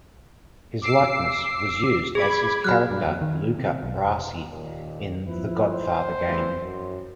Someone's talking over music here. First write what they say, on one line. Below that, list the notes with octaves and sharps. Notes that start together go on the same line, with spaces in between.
His likeness was used as his character Luca Brasi in "The Godfather Game".
D6 E6 C7
G#4 B5 D6 G#6
F#3 B5 F6 F#6
G2
F2
D#3
C3
B1
F1
D#2 A#2
F3 E4 B4
C5
D2 E3 G3
F#2